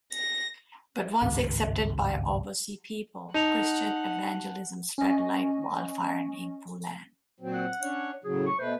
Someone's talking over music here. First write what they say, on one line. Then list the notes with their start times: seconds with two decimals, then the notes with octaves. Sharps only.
But once accepted by Obosi people, Christian evangelism spread like wildfire in Igbo land.
0.13 A#6
1.22 G#1 C#2 G2
3.34 D#4 F#5 A5 F7
4.98 C#4 D#5
7.40 A#2 F#3 C4
7.54 F#5
7.82 C#4 D4 C#5
8.24 A2 C#3 F#3 G#4
8.46 C#6
8.58 B2 A3 B4 C5